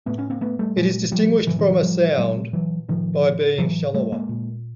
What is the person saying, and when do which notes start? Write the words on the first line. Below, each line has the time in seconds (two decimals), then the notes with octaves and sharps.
It is distinguished from a sound by being shallower.
0.06 A2 A3 B3
0.18 B3 C#4
0.30 A#3 C4
0.41 A3 B3
0.59 G3 A3
0.77 A#2 F#3 G#3
1.12 F3 G3
1.47 A2 E3 F#3
1.59 D#3 F3
1.71 E3 F#3
1.83 F3 G3
2.18 A#2 F#3 G#3
2.53 E3 F#3
2.89 A2 D#3 F3
3.58 A2 E3 F#3
3.94 G3 A3
4.12 G#3 A#3
4.29 A#2